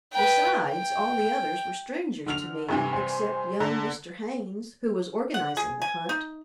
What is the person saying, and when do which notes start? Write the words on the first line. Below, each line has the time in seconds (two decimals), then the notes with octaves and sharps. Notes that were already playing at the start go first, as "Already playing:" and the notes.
Besides, all the others were strangers to me except young Mr. Haynes, who was organizing the hunt.
0.13 B4 G5
0.68 G5
2.26 D3 F6 F7
2.69 G2 C3 E3
2.93 C5 G#5
3.60 D3 A#5
5.34 F#5
5.57 G#4
5.82 G#5
6.09 D#4